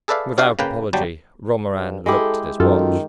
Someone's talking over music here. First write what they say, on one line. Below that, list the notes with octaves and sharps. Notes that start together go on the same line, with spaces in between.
Without apology Romarin looked at his watch.
G#4 A4 B4 D5 E5 F5
D4 F#4 G4 D5 E5 F5
C#3 A#3 B4 G5
G1 F#3 G3 G4 G5 A5
G2
G#3 E4 G4 A4
F#2 D#3 F4 A4